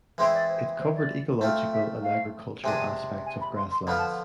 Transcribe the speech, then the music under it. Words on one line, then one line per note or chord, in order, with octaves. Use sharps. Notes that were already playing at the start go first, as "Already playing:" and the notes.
It covered ecological and agricultural aspects of grasslands.
E3 G#3 C4 E4 G#4 C6
D5
C5
C5
D5
A3 C4 F4
E5
F5
C3 G#3 D4 G#5
G#5
B5
C6
C6
D3 F3 B3 F4 B5
A5